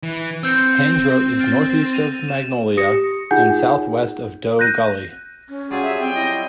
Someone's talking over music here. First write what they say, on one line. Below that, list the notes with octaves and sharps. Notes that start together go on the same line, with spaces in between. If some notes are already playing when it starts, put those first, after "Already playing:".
Hansrote is northeast of Magnolia and southwest of Doe Gully.
E3
C4 E6 G6 C#7
F6 A6 D7
D#7 F7
E7
G4 D#6 A#6 C#7
D#4 F4 G#4 F#5 G#5 G6
F#6 G6 A#6 D#7
C#4
F#3 G3 F4 G#4
E5
C4 G5
E4 D#5